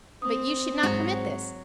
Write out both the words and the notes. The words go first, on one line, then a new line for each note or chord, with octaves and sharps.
But you should not permit this.
C4 D#6
G#2 F#3 F#4